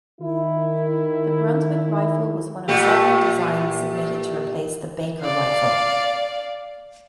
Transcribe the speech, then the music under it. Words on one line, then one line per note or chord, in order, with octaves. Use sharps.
The Brunswick rifle was one of several designs submitted to replace the Baker rifle.
D#3 E4
A#2 A3 G4
D5 F5